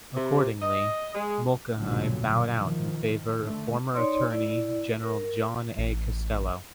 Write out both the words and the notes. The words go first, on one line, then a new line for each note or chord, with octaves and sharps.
Accordingly, Mulcahy bowed out in favour of former Attorney General John A. Costello.
C3
D#5
G#3
B1 G2 A#2 D3 F#3
D#3 F3
D3 A3
D#4 C#5 D5 C6
E4 D5
A#4
A1